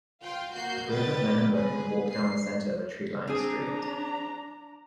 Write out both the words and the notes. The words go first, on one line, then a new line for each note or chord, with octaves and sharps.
A group of men and women walk down the center of a treelined street.
F4 G5 C6
A#3 F#4 G6 C7
B3 B4 D#5 G5 A6
G#4 B4
C7
C4 D4 G#4 A#5